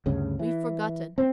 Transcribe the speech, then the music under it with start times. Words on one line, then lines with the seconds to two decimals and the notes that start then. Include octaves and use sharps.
We've forgotten.
0.06 D2 G2 C#3
0.39 E3
1.18 C4